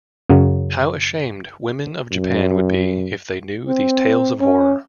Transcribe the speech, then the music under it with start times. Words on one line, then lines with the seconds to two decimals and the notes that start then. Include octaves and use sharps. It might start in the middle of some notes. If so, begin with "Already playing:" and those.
How ashamed women of Japan would be if they knew these tales of horror.
0.30 F#2 C#3 F#3
2.12 F#2
3.68 C4
4.41 C#4